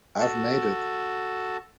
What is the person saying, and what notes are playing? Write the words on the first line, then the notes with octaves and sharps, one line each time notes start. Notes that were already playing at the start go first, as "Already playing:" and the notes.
I've made it.
F#4 A4 A5